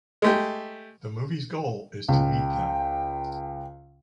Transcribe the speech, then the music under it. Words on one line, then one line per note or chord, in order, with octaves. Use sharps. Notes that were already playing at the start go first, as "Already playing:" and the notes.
The movie’s goal is to meet them.
G#3 A3 G4
C#2 G5